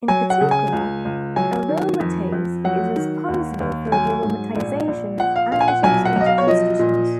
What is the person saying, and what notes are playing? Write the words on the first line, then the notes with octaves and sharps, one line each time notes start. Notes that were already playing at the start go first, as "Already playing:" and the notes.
In particular, aromatase is responsible for the aromatization of androgens into estrogens.
F#3 G#5
F#5
C#3
G#5
C#2
C#2
F#3 G#5
D#3
F2
F2
F#3 F#5
D#3
D#2
D#2
F#3 G#5
G#2
A#1
A#1
F3 F#5
F5
A#2 F5
G#5
F#5
B1 G#5
F#5
B1 D#5
F5
C#5
F3 D#5
A#2